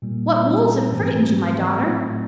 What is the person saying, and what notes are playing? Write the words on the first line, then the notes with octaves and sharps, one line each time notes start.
What wolves have frightened you, my daughter?
A#2 G3 A#3
G#2 E3 A3 C4
A2 F#3 A3 C4 F4